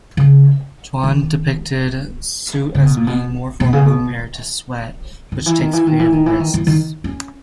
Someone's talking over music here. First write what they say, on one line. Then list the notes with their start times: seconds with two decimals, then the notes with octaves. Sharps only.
Juon depicted "Suit" as being more formal compared to "Sweat" which takes creative risks.
0.17 C#3
1.03 D#3
2.75 C#3
2.86 B2
2.97 A#2
3.07 B2
3.60 B2
3.73 C#3
3.86 B2
5.32 D#3
5.46 E3
5.59 D#3
5.73 E3
5.87 D#3
5.99 E3
6.12 D#3
6.26 E3
6.40 D#3
6.54 E3
6.67 D#3
7.04 C#4